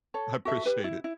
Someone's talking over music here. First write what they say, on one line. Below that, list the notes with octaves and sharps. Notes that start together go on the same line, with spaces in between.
I appreciate it.
A4 C#5
F#4 A4 E5
G4 B4
E4
E4